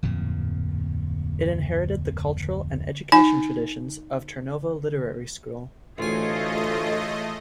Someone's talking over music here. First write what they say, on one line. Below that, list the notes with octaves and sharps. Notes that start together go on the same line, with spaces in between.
It inherited the cultural and education traditions of Turnovo Literary School.
D1 F2 A#2 F3
D#4 G#5
A1 D2 A3 F4 G#4 C#5 D#5 G#5